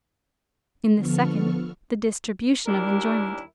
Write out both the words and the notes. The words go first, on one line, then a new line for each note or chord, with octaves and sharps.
In the second, the distribution of enjoyment.
D3 F3 B3 A4 C#6 F6
D#2 G3 D4 E4 A#4